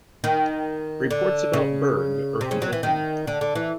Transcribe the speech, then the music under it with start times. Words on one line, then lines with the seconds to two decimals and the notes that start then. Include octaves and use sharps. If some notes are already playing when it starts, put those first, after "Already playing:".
Reports about Berg are conflicting.
0.24 D#3
1.11 D3
1.53 C#3
2.41 C3
2.51 C#3
2.62 F#3
2.73 E3
2.83 D#3
3.27 D3
3.41 D3
3.55 E3